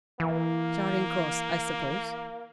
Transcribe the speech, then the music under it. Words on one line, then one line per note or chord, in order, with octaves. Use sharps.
"Charing Cross, I suppose!"
E3 A#3